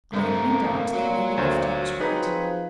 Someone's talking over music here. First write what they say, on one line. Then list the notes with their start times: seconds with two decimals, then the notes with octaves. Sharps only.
I have no doubt that Lady Lufton was right.
0.13 G2 A3 C4 A#4
0.47 A#3
0.94 A#2 F#4 C#5
1.38 D2 C5
2.00 F3 C4 D#4 G#4 B4